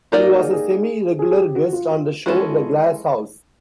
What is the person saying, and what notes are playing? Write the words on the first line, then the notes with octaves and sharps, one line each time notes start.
She was a semi-regular guest on the show "The Glass House".
A#3 D#4 F4 G4 A#4 D5
F#4
G#4
G#4
G#4
G#4
G4
F#4
F4
F4
E3 G#3 C#4 E4 F#4 A4
F4